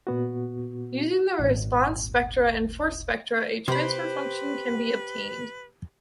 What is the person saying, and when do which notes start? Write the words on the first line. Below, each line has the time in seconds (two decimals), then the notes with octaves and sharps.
Using the response spectra and force spectra, a transfer function can be obtained.
0.07 A#2 B3 F#4
1.39 D#1 G#1
3.68 C3 G4 B4 C5 B5